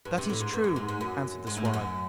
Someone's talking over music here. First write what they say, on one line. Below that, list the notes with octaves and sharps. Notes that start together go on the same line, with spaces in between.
'That is true,' answered the swallow.
G2
C3
A2
G#2
G2
F#2
G#2
G#2
F#2
G#2
A2
G#2
F#2